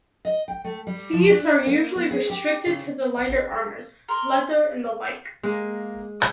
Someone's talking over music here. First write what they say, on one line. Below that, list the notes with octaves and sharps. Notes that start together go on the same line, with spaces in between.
Thieves are usually restricted to the lighter armors, leather and the like.
D#5
G5
A3
G3
F3
D4
A#3
B3
G#4
G4
C#3
A#4 C6
G#3 A#3